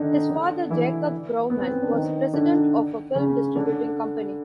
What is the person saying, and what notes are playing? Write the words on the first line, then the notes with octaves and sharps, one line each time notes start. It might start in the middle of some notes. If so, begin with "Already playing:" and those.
His father, Jacob Grauman, was president of a film distributing company.
Already playing: D3 D#3 D4 D#4
D3 D4
E3 E4
B3
C4
C#4
D4
D#3 D#4
D3 D4
C#3 C#4
D3 D4